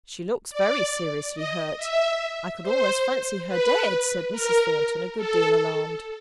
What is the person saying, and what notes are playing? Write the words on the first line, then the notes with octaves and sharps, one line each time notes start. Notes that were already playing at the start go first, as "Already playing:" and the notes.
'She looks very seriously hurt,--I could almost fancy her dead,' said Mrs. Thornton, a good deal alarmed.
D5
D#5
E5
C5
B4
A#4
A4